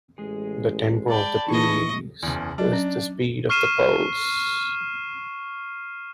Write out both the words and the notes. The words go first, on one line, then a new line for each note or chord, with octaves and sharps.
The tempo of the piece is the speed of the pulse.
A1 G#3 G#4
D5 G5 A5 B5
E3 D#4 G#4 A4 D#5 C#6
F#1 E2
F#3 D4
C#4
C#6 F6 C7 D#7 E7